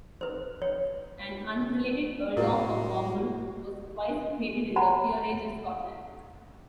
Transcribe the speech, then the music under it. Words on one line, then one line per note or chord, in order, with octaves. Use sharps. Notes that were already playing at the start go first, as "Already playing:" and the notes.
An unrelated Earldom of Ormonde was twice created in the Peerage of Scotland.
B4 C5
C#5
A2 E4 F#4 A#4 C5
F#5 A#5 B5